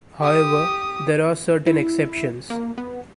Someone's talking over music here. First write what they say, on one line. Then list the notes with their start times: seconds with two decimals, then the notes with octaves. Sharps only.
However, there are certain exceptions.
0.20 G4 D#6
1.66 E4
2.50 A#3
2.78 B3